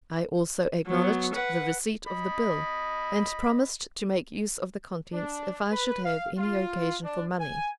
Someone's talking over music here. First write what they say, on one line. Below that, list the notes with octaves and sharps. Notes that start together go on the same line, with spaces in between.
I also acknowledged the receipt of the bill, and promised to make use of the contents if I should have any occasion for money.
F#3 B3
B4 F#5
D#5 B5
D4
B4
F5
F4
D4
G#5